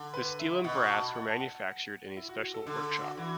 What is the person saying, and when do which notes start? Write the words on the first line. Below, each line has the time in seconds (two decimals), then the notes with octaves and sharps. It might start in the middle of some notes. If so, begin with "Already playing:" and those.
The steel and brass were manufactured in a special workshop.
Already playing: D3
0.14 B4
0.40 E5
0.64 B2 F#5
0.90 A5
1.15 F#5
1.27 A5
1.40 F#5
2.17 E4
2.29 F#4
2.41 F#4
2.54 A4
2.66 D3 A4
2.83 A4
3.01 F#4
3.17 E3 F#4